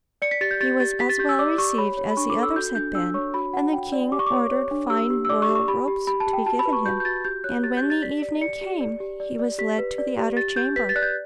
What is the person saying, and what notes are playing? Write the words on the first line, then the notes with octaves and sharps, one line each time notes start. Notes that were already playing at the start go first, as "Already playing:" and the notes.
He was as well received as the others had been, and the king ordered fine royal robes to be given him; and when the evening came he was led to the outer chamber.
D5 C#7
B6
G4 A6
G6
G4 A6
G4 A6
G4 B6
A6
G4 G6
E6
D5 D6
G4 C#6
C#5 B5
C#5
B5
D4 C#6
D6
A4
E6
F#4 G6
D4 G6
D4 E6
C#5 C#6
F#4 B5
F#4 F#5
F#4 G5
D5
G4 D6
C#6
C#5 D6
C#5
D4
G4 E6
G4
E6
D5 D6
C#6
G4
C#6
G4 B5
G4
G4 B5
A5
G4
G5
F#4 A5
B5
B4
C#6
F#4 G6
G6
F#4 A6
G4 G6
C#5 F#6
G4 A6
G6
G4
A6
D5 B6
D5
D5 C#7
G4
D5
G4
D5
D5
G4 B6
B4
D5
G4
G4 A6
G4 G6
B4 B6
A6
D5 F#6
G6